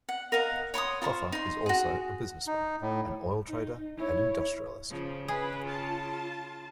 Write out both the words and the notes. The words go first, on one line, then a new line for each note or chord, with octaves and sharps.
Tofa is also a businessman, an oil trader and industrialist.
F#5
A#4 D#5 F5 F#5
C#5 C6 C#6 D#6
F4 C5 A#5 C#6
D#4 C6
F#4 G#4
D#4
A2
D#4
E4 C#5
C#3 F3
G#4 B4
F4 A5